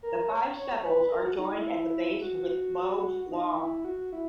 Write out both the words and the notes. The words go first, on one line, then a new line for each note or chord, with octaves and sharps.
The five sepals are joined at the base with lobes long.
A#4
C#5
C#5
B4
A#4
F#4
D#4
E4
F#4
D#4
E4
F#4
E4